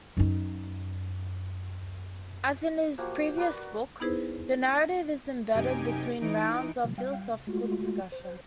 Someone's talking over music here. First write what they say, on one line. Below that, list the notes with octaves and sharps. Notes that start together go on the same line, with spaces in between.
As in his previous book, the narrative is embedded between rounds of philosophical discussion.
F#2 D#4
F3 A#3 F#4 G4
F#4 A#4 B4 D5
B3 D#4 E4 G#4 B4 C5
F#2 C3 D#4 G4 G#5 D7
E3 D#4 D7
B2 D#3 F3 F#3 G#3 A#3
G3 F5 G5
G#3 A3 F4 F#4
C5